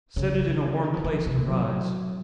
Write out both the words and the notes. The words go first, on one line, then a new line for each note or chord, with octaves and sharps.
Set it in a warm place to rise.
C#3
D#3
F3
F3
C3
A#2
F#3